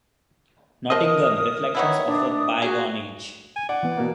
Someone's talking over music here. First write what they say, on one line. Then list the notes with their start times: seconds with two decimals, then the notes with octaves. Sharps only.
Nottingham: Reflections of a Bygone Age.
0.90 F3 A#4 D#5 D#6
1.75 D#3 B3 E4 C#5
2.07 D4
2.62 F#4 G#4
3.56 G#5
3.69 D5 F#5
3.83 E3 B3
3.98 B2 A#3